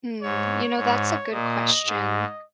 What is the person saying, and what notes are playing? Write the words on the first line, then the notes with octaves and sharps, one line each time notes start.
Hmm, you know, that's a good question.
G#2 C#5
G#2 C#5
A#2 D#5
G#2